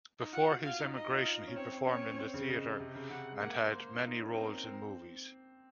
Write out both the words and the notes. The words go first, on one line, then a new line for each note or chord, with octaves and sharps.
Before his emigration he performed in the theater and had many roles in movies.
D#4
F4 F#5
F#4
F4 F5
D#4
D#4 D#5
F4
F4
C#4
C4 C#5
C4
C#4 C#5
C4
C#4
C4
C#3
C#3 D#5
C3
C#3
C#3 F#5
G#3
A#3 F#5
C5
F4
D#4
C#4
C4 A#4
C4